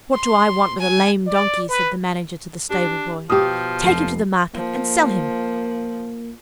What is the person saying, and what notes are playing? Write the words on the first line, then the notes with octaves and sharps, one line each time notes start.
"What do I want with a lame donkey?" said the Manager to the stableboy. "Take him to the market and sell him."
C6
G#5
D5
B4
D4 G4
B2 F3 G4 D#6
F1 C7
F3 A#3